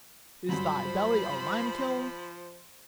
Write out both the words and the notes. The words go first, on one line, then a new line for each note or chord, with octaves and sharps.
Is thy belly a lime-kiln?
G2 F3 F#3 C5 B5